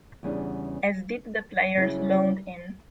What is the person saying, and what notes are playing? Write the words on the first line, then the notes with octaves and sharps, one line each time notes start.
As did the players loaned in.
E2 C#3 G3 B3 D4
C#3 F#3 C#4 E4